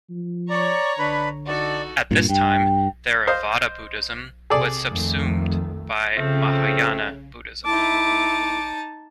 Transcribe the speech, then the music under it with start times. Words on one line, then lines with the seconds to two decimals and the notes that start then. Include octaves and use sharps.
At this time, Theravada Buddhism was subsumed by Mahayana Buddhism.
0.10 F3
0.50 C#5 D5 A#5 C#6
0.99 D3 D4 B4 B5
1.47 D#4 F#4 A4 D5
2.11 G2 A#2
2.30 G2 G5
3.27 C5 D#5 F5
4.50 C3 G#4 A4 D5
4.91 F2 D#3 A3
6.16 C#3 F3 A3 C4
7.66 D#4 E4 A5 D6